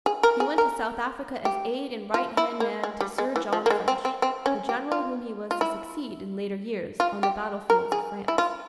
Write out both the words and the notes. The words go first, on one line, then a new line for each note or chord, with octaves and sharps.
He went to South Africa as aide and right-hand man to Sir John French--the general whom he was to succeed in later years on the battlefields of France.
G#4
A#4
G#4
A#4
G4
F4
E4
A#3
G#3
G3
G#3
E3
F3
A#3
G#3
C4
C4
C4
C#4
G4
F4
F4
E4
F4
G4
A#4
G#4
E4
F4